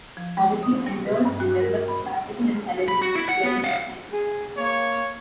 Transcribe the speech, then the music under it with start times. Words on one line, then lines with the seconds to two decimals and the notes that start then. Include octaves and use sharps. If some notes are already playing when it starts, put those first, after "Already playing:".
Augustine endorsed and developed the classical and Hellenistic theories of signs.
0.17 F3
0.38 G#3
0.63 D#6
0.87 G3
1.06 B4
1.25 G2
1.40 F#4
1.60 A#4
1.88 B5
2.88 B5
3.02 F#4
3.15 E4
3.29 F#5
3.44 B3 F#5
3.64 F5 F#5
4.13 G#4
4.57 A#3 C#5